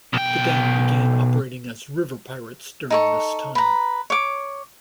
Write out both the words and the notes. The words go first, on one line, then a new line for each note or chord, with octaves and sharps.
The gang began operating as river pirates during this time.
B1 G5
D#4 A4 C#6
B4 A#5
C#5 D6